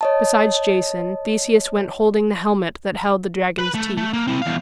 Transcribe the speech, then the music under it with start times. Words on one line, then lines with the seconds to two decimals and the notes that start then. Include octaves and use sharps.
Beside Jason Theseus went holding the helmet that held the dragon's teeth.
0.01 C#5 D#5 A5
3.58 B4 B5
3.74 A3
3.97 A3
4.13 A#3
4.27 C4 E4
4.42 E2 F5